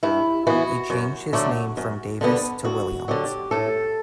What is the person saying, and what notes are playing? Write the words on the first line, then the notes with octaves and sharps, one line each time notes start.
He changed his name from Davis to Williams.
G2 E4
E3 B3 F#4
F#2
D3 F#3 A3
F#2
D3 G3 B3
D2 F#4
D3 F#3 G4
A2 A4